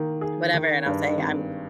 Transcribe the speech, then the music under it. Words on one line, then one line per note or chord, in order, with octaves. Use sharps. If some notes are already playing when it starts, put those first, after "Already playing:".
whatever, and I'll say, "I'm,
Already playing: D#3 A#3
G#4
D#3
G2
G#1